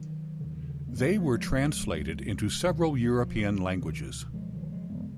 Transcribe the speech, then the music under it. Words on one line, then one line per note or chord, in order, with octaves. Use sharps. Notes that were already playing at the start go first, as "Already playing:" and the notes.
They were translated into several European languages.
Already playing: D#3 F#3
D#2 C#3
A#3
F3 G#3
F#3 A#3
F3 G#3
C#2 C#3 F3 G#3
C#2 B2 D#3 F#3
D#3 F#3
D#3
F3
C#2 B2 D#3
F3 G#3
D#3 F#3
F3 G#3
F#2 C#3 G#3 B3